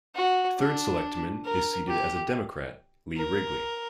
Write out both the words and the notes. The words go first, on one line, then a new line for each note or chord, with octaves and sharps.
Third Selectman is seated as a Democrat, Lee Wrigley.
F#4
D4
A#4
G4
A#4